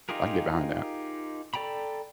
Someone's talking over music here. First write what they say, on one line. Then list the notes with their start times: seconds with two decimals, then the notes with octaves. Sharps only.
I can get behind that."
0.09 D#4 F4 G4 G#4 A#4
1.54 A4 D5 G5 A#5 B5